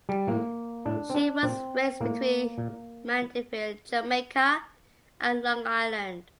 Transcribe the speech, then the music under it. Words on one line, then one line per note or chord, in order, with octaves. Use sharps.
She was raised between Mandeville, Jamaica, and Long Island.
G3
A2 A#3
A2 D4
C4
D4
A#2 C4
A2 A#3
A#2